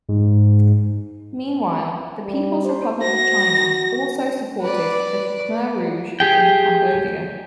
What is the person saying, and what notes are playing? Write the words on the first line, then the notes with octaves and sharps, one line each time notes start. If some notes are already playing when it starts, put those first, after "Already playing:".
Meanwhile, the People's Republic of China also supported the Khmer Rouge in Cambodia.
G#2
G3
C5
F#4 A#6
B4 D5
G4 G#4 G5